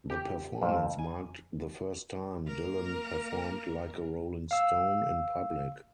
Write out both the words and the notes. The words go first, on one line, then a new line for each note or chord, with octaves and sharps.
The performance marked the first time Dylan performed "Like a Rolling Stone" in public.
G4
F2
G#5
A#3 A#4
F5 E6